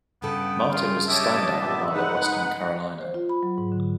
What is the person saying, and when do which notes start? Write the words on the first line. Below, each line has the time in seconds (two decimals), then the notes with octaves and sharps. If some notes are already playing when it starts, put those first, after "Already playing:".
Martin was a standout while at Western Carolina.
0.22 G2 C#3 B3 A4 G5
0.71 F4 G#4
1.08 G4 C#5 D#5 E5 G5 A5
1.59 A#2 B3 G4
1.93 G#3 D#4 B4 F#5
3.01 C5
3.14 F4
3.29 B5
3.43 F#3
3.58 G#2
3.72 D3